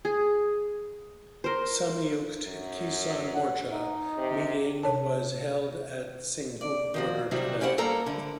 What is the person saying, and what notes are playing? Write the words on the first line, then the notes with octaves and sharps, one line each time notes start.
Samyukt Kisan Morcha meeting was held at Singhu Border today.
G#4
A#4 C5
F#2
F#5
D#4
C3
C3 C#5 A5
D5
D#3 F3 F#4
C3 D#3 F#3 G3 E4
C#4 E4 G4 C5 F5 F#5
G3 A#3 A4 A#4 A#5
D3 E4